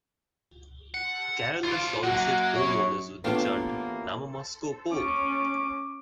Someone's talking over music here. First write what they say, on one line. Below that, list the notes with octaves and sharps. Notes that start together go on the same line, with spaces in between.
Carollers solicit homeowners with the chant Namamasko po!
F#5
F4 C5 D5 C6
F#2 A#3 F#4 F#5
C#5
A2 E3 A#3 B3 D4 F4 G4 C#5
C#4 D6